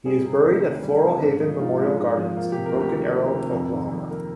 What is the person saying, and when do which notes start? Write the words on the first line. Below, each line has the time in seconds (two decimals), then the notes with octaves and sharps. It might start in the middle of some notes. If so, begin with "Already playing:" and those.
He is buried at Floral Haven Memorial Gardens in Broken Arrow, Oklahoma.
0.05 G3 G#4
0.25 C3
0.44 D2
0.63 D#3
0.83 G3
1.02 C3
1.21 G#2 D4
1.40 F3 D#4
1.60 G#2 F4
1.79 G#3
1.98 G#2
2.18 F3
2.37 A#3 F4
2.52 G4
2.56 C3
2.66 A#4
2.75 D2
2.81 G4
2.95 D#3
3.14 A#3
3.33 C3
3.53 F2
3.72 D#3
3.91 F2
4.10 A#3 A#4